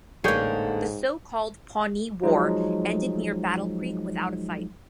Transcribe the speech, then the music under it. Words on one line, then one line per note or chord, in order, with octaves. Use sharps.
The so-called Pawnee War ended near Battle Creek without a fight.
A1 G#2 D3 A#3 G#4 C#5 G5
F3 F#3 G#3 D#4